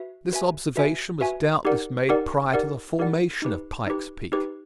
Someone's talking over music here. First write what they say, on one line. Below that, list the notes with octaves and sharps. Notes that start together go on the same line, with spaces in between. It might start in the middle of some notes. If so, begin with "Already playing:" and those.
This observation was doubtless made prior to the formation of Pike's Peak.
Already playing: F#4 B4 E5
F#4 B4 E5 G#5
F#4 B4 E5 G#5
F#4 B4 E5 G#5
D#4 G4 A#4 D5 F#5
D#4 G4 A#4 D5 F#5
D#4 G4 A#4 D5 F#5
D#4 G4 A#4 D5 F#5
D#4 G4 B4
D#4 G4 B4
D#4 G4 B4